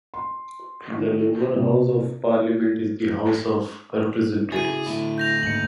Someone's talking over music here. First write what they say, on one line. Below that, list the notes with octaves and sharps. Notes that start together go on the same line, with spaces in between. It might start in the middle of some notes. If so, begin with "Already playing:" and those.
The lower house of parliament is the House of Representatives.
C6
D#3
C3
C#3 E4 F#4 G#4 A6 D#7
A2 D3 E4
G6 A#6 F7
D#2 G#2 C#7 F#7